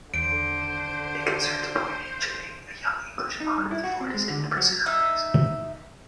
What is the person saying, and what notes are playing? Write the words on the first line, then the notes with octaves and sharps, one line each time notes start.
It concerns a boy named Jimmy, a young English Mod with four distinct personalities.
E2 D3 C5 D7
D#4
G2
E4
F#4
C4
G#3
D3
D2
F#3
D#4 E5